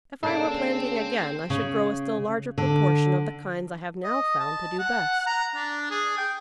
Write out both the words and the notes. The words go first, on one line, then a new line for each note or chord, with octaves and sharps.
If I were planting again I should grow a still larger proportion of the kinds I have now found to do best.
C#3 A#3 D4 A4 C5 G5 A5
C#3
D3
D#5
A5
F#5
A#5
D4
G#4
G5